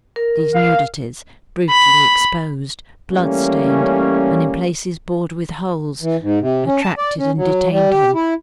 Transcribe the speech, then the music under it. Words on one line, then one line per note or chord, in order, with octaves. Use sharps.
These nudities, brutally exposed, bloodstained, and in places bored with holes, attracted and detained him.
A#4
F5
B5
E3 G3 A3 A#3 C#4
E3
G#2
C3
C#4
A5
D5
C#4
F#3
G3
G4
E4